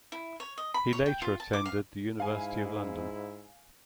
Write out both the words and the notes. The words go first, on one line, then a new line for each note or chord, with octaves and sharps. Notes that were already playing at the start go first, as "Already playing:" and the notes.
He later attended the University of London.
E4
C#5
D#5
B5
C#5
G5
F4
A5
D6
F5
G#2 E4 F5 G#5